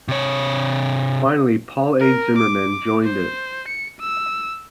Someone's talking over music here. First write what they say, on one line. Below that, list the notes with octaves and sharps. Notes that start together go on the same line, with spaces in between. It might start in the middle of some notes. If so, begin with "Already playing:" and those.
Finally, Paul A. Zimmerman joined it.
C3 C#5
A#4
D6
C5
C#7
E6